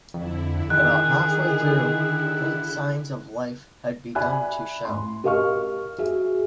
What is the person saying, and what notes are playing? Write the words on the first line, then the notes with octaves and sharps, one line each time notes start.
About half-way through, faint signs of life had begun to show.
F2 D3 E4
D#3 G#4 F#6
D5 E5 G#5 B5 F#6
A2 C6
G4 A#4 D#5 F5 C#6 F6
F#4 G#4 E5